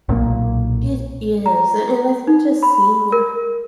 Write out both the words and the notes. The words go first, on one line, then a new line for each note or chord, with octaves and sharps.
It is, an and I think just seeing,
B1 A#2 F#3 A#3
A#5
D#4
B5
A#4